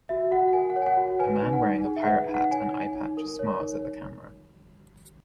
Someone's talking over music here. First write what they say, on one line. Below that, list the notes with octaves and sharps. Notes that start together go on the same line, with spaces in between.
A man wearing a pirate hat and eyepatch smiles at the camera.
F#4 E5
F#4 F#5
F#5
A#4 G#5
F#5
C#5
G#5
F#5
F#4
B4 G#5
G#5
D#4
F#5
D#4
G#4
E5
B4 F#5
D#4
F#5
C#5 G#5
D#4
D#4
A#4
C#5
D#4